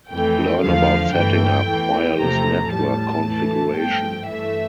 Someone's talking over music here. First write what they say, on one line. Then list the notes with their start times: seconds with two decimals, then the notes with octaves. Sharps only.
Learn about setting up wireless network configuration.
0.10 F2 E3 A3 G5
0.62 E2 D3 F3 A3 F5
1.14 G2 E3 A3 G5
1.67 E2 E3 A3
2.18 E2 C3 F3 A3 A#5
2.71 A2 G3 A5
3.23 E2 E3 A3
3.75 G2 F3 A3 G5
4.28 G2 E3 A3 E5